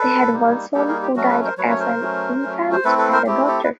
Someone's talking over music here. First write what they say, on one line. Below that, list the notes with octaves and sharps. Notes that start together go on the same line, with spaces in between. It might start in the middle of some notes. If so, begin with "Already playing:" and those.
They had one son, who died as an infant, and a daughter.
Already playing: A4 B4
G3 A#3 D#4
G3 A#3 D#4 G4 A4
G#4 A#4
G4
F#3 A3 C#4 F#4
A4 B4
A#4 C5
F#3 A3 C#4 B4 C#5
C#5
A#4 C5
F#3 A3 C#4
F#3 A3 C#4
C5
A3 C4 E4 A4 B4
A4 B4
A#4 C5
A3 C4 E4 G4
G4 A4
B4